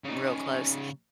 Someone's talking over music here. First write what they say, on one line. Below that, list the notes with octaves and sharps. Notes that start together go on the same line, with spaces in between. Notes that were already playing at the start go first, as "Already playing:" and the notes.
real close,
C#3 D#4